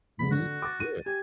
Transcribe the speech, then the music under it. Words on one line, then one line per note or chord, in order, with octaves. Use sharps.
Mhm. Yeah.
F1 G#2 B5
D3 F#4
D6 A6
D#7
G4 G#5